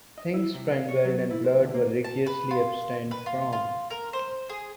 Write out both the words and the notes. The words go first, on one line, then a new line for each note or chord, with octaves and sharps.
"Things strangled and blood" were rigorously abstained from.
D#5
E4
C3
F5
C#5
F#3
E4
C5
D3
A#3
A5
B4
F4
B4
F4
F4
A#4
C5
G#4